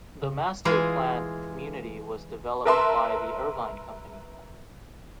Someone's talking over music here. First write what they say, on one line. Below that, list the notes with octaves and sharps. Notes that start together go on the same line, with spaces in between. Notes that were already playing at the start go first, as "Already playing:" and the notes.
The master-planned community was developed by the Irvine Company.
C#3
E3 G#3 F4 G#4
A#4 B4 E5 A5 C6